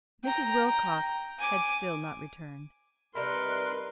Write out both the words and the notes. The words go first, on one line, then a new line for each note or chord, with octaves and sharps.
Mrs. Wilcox had still not returned.
G5 A#5
G#5 D6
C3 G3 D#4 A#4 B4 B5 C6